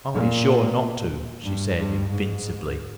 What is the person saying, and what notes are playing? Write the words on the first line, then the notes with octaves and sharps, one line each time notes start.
"I'll be sure not to!" she said invincibly.
A#2
G2
G2
G#2